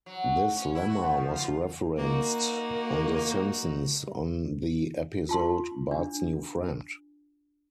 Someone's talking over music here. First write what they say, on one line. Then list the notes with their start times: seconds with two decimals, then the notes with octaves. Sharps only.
This lemma was referenced on The Simpsons on the episode "Bart's New Friend".
0.06 F#3
0.56 C#4
0.75 E4
0.89 F#4
1.04 A3
1.18 F3
1.36 F4
1.98 A#3 D#4 F#4
5.29 F4 A5 C6
5.91 D4